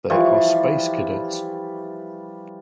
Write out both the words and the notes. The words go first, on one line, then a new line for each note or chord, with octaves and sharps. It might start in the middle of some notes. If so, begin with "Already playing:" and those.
They Are Space Cadets.
E3 F3 G3 C#6